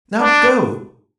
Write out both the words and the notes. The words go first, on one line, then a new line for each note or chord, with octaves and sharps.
Now go!
D4